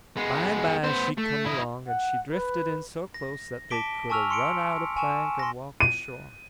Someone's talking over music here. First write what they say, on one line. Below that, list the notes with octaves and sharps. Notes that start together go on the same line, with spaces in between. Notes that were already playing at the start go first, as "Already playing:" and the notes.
By and by she come along, and she drifted in so close that they could a run out a plank and walked ashore.
G#3 B3
B3 C5
A3
E4 D#5
F#5
B4
A#6
A5 D6 B6 D7 G7
G#5 A5 C#6 E6 F6 F7
C6 C#7 D7
G#5 C#6 E7
C6 A#6
D#7